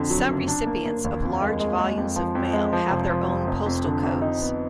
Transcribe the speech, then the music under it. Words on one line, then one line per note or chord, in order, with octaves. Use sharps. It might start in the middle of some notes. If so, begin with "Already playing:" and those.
Some recipients of large volumes of mail have their own postal codes.
Already playing: F2 D3
F#3
F#1
D4
A#3
A#3
D#2
F2
G#3
G#3
G#3
F2
F3
F2
G#3
F3
F1
F3
F2
F1
F2
D3
F2
D#4
B3